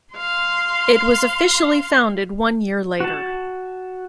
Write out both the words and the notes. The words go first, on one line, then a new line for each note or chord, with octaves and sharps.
It was officially founded one year later.
F5 C6
F#4 A5